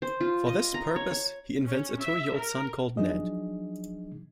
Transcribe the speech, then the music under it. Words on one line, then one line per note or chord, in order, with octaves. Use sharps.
For this purpose, he invents a two-year-old son called Ned.
C5
F4
D#5
A#5
C#5
C#5
C#4
E5
A#4
F3 F#3 D4 D#4 G#4 D#5